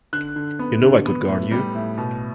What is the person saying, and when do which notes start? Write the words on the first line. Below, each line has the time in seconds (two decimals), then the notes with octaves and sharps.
You know I could guard you.
0.13 D3 F#6
0.36 D3
0.59 B3
0.82 D3
1.05 B3
1.28 A2
1.51 G3
1.75 A2
1.98 B2